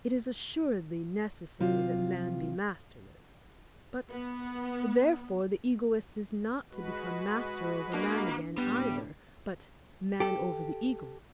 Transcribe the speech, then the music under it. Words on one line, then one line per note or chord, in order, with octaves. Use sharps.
It is assuredly necessary that man be masterless: but therefore the egoist is not to become master over man again either, but man over the egoist.
C3 F#3 F4
B3
G#3 F#4 B4
A#3 D4
A2 G3 B3
G4 A4